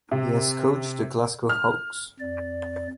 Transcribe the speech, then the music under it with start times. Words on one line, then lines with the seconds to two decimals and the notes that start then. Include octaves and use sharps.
He has coached the Glasgow Hawks.
0.11 C3
1.49 F6
2.20 F2 D5